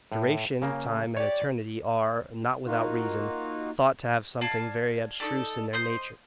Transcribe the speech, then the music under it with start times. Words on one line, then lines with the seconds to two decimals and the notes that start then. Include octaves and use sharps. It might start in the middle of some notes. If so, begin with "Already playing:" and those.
Duration, time, and eternity, are, not without reason, thought to have something very abstruse in their nature.
0.12 A2
0.62 C#3 A#3
1.17 G4 C#5 D5
2.67 A#3 D#4 F4 F#4
4.41 D5 F5 G#5 A5
5.20 D#4 G4 A4 D5
5.73 C5 D#5 G6